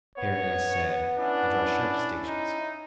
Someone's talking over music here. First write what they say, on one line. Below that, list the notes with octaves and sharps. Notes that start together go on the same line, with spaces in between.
Herein, as said, I draw sharp distinctions.
B3 C#5
C#4 D4 E4
D#4